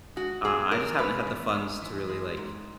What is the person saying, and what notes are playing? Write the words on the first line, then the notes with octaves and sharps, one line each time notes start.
uh, I just haven't had the funds to really, like
G#3 F#4
B2 G#4
E2 A#4
G#3 B4
E2
G#2
E3
G#3
G#2